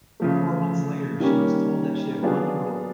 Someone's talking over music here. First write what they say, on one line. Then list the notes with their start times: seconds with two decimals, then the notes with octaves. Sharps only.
Four months later, she was told that she had won the role.
0.20 C#3 F3 A3
1.20 D#3 G3 A#3 C#4
2.22 F#3 B3 D4 F4 G#4